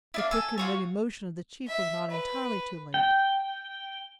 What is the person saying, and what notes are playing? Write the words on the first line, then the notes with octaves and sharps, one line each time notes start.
The quick and ready motion of the chief was not entirely too late.
A#3 D4 E4
A4 G#5
F4 F#4 C#5
E5
B4
G5